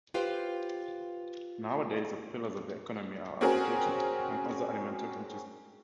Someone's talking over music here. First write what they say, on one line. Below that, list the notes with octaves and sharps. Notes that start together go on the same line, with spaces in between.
Nowadays, the pillars of the economy are agriculture and other alimentary industries, and construction.
F4 G4 B4 C5 F5 G5
C4 C#4 F#4 G#4 A#4